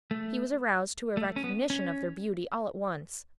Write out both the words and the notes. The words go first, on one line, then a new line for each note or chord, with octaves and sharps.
He was aroused to a recognition of their beauty all at once.
A3
A3
C#4
B3
C#4